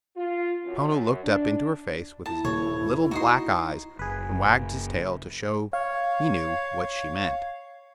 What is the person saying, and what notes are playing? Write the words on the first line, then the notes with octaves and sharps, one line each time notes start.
And Toto looked up into her face with his little black eyes and wagged his tail to show he knew what she meant.
F4
F#2
D4
E4 A5 A#5
D#1 C#5
D#4 F#4 D#5 C6
F#1 G#4 B4
C#5 F5